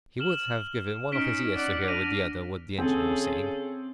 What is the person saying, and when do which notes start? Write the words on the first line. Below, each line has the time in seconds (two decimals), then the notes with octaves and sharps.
He would have given one of his ears to hear with the other what the engineer was saying.
0.20 F6 E7 F#7
1.12 C#4 D#4 F6 B6 D7
1.55 D5 F#5
1.87 D4 A#6 D#7 F7
2.78 C#3 C4 G#4 A4